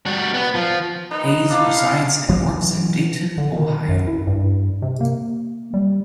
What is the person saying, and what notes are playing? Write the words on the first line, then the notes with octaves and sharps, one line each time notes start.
Hayes resides and works in Dayton, Ohio.
G3 F#4
B3
F3
D#4 B4
D4 E4 D5 F5
E3 F#3 G#3 B3
D3
D#3
F#2
E4
G2
C3
A#3
G3